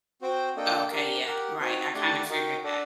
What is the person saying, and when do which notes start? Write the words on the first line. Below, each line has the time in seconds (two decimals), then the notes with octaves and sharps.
Okay, yeah, right, I kinda figured that.
0.22 C4 F#4 C5 G5
0.56 A#3 D4 A4 D#5 G5
0.90 D4 G4 A#4
1.25 G4 A#4 F#5
1.60 C4 D#4 F#4
1.94 A3 D4 G4 D5 F#5
2.29 D#4 F#4 A#4 D#5 G5
2.63 D4 A4 D5 F#5